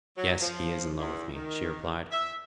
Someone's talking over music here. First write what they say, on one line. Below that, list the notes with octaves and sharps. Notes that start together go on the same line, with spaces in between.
"Yes, he is in love with me," she replied.
F#3
F3
E2
D#3
E5